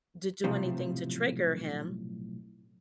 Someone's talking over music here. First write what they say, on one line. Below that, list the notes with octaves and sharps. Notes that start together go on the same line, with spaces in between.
d do anything to trigger him.
B1 A2 C3 F3